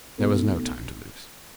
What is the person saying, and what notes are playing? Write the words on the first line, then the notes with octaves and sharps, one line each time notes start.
There was no time to lose.
B1 B2 A3